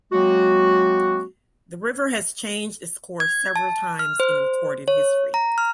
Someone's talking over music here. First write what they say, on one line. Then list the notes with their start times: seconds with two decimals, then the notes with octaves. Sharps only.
The river has changed its course several times in recorded history.
0.12 F#3 G#3 A#3 C4 F#4
3.20 G#6
3.56 A5
3.99 F6
4.20 C5
4.88 C#5
5.34 A#5
5.58 F6